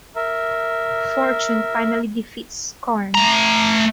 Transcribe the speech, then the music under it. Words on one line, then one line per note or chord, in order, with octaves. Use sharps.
Fortune finally defeats Scarn.
A#4 E5
A3 A#5